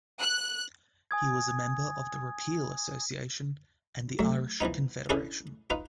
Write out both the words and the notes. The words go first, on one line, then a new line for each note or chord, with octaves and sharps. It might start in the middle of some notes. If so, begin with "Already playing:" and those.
He was a member of the Repeal Association and the Irish Confederation.
F#6
G#5 D#6 G#6
F#3 A3
E3 F3 B3 D#4
C#4 D4 E4 G#4 A4 B4
D#4 F4 B4